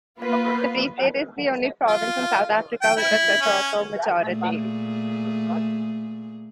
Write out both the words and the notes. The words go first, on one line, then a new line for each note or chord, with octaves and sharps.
The Free State is the only province in South Africa with a Sesotho majority.
A#3 B3 F4 B4
F4
G5
E4
C#4
A#2 A3 G#4